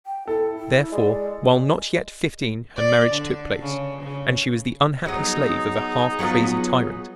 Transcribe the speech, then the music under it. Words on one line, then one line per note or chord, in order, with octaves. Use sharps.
Therefore, while not yet fifteen her marriage took place, and she was the unhappy slave of a half-crazy tyrant.
G5
E4 A4
E4
G#3 D5
D5
D3
C#3
C#3
F#3 B3 D#4 G#4 D#5
F#3 B3 F4